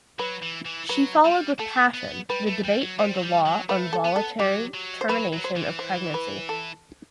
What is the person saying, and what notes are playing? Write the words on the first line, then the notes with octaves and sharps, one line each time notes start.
She followed with passion the debate on the law on voluntary termination of pregnancy.
F#3 B4
E3
E3
F#3 B4
G3
A3 A4
B3
G3 B4
A3
G3
F#3
G3 C5
F#3
G3
F#3
A3 B4
A4
B3
A4
F#3 G4
F#3
C5
F#3 B4
F#3
C5
E3
C5
B4
A4